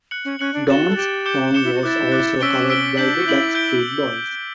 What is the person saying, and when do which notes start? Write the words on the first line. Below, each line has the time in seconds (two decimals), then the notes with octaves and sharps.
Dawn's song was also covered by the Backstreet Boys.
0.11 F#6 C#7 F#7
0.25 C#4
0.39 C#4 F#6 C#7 F#7
0.54 D4
0.68 F#4 A6 E7 G7
0.89 A4
0.96 G4 A6 E7 G7
1.26 D6 G6 C#7 E7 G7
1.54 D6 G6 C#7 E7 G7
1.64 E4
1.74 F#4
1.83 E4 D6 F#6 A6
2.12 D6 F#6 A6
2.40 C#4 E6 B6 D7 G7
2.69 E6 B6 D7 G7
2.97 D4 G6 B6 F#7
3.16 F#4
3.26 E4 G6 B6 F#7
3.55 G6 D7 G7